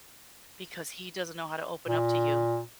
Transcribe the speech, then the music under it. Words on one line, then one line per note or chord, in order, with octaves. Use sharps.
because he doesn't know how to open up to you.
A#2